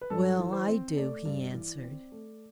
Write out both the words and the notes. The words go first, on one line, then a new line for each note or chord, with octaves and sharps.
"Well, I do," he answered.
B4
G2 A4
E3
C5
C4
A3 D5
G2
E3
C4
A3